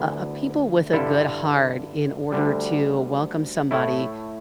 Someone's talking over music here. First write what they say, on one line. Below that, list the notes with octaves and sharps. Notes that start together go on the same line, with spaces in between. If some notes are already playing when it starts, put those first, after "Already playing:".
uh, people with a good heart in order to welcome somebody,
Already playing: D2 D3 B3 E4
G2 D3 G3 E4 A4
D2 D3 G3
A2 A3 E4